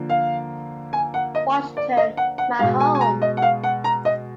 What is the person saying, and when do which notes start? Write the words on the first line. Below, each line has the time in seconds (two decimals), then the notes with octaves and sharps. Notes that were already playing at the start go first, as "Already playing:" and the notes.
Washington, my home.
Already playing: D3 F3 A#3
0.10 F5
0.93 G#5
1.14 F#5
1.35 D#5
1.77 D5
1.97 D#5
2.17 F#5
2.38 F#5
2.59 B2 G#3 F5
2.80 G#5
2.95 G#5
3.01 A#5
3.22 D#5
3.37 F#5
3.42 F5
3.64 F#5
3.84 A#5
4.05 D#5